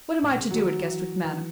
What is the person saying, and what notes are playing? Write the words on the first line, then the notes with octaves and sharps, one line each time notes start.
What am I to do at Guestwick Manor?
A2
B2
C#3
D#3 F#3
E3
E3